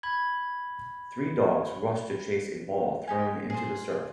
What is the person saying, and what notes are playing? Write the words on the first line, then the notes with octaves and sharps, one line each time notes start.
Three dogs rush to chase a ball thrown into the surf.
B5 G#6
D#4 G4 G#5
G#4 C5